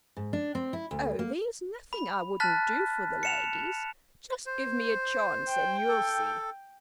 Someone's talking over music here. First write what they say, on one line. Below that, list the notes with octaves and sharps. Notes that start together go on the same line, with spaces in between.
"Oh, there is nothing I wouldn't do for the ladies; just give me a chance and you'll see."
G#2
D4
C4
E4
D2
A#3
B5
A5 F6 F#6 A6 B6
C#7 E7 F7
C5
G5
A4